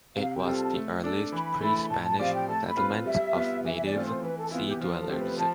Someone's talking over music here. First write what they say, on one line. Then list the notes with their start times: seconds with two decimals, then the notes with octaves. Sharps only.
It was the earliest pre-Spanish settlement of native sea dwellers.
0.16 C3 F5
0.36 G5
0.45 G3 C4 F4 A4
0.55 A5
0.75 A3
1.04 D4 A4
1.32 E3 B5
1.61 A3 E4
1.90 A2 A5
2.05 A5
2.19 F3 C4 G4 D5 F5
2.34 G5
2.48 A3 A5
2.68 B5
2.77 C4 F4 B4
3.06 G3 E5
3.35 B3 F4
3.65 E3 E5
3.76 E5
3.84 D5
3.94 A3 C4 F4
4.03 C5
4.22 E3 B4
4.37 A4
4.51 B3 E4 F4
4.66 G4
4.80 F3 F4
4.99 A4
5.09 A3 C4 G4
5.19 B4
5.38 F3 A5